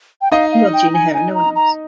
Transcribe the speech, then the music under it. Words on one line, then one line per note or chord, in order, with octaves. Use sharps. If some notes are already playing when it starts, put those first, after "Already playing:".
You are the Gina here, and no one else.
G5
D#4 D#5 F5
F5
G5
G#5
G#5
A#5
A#5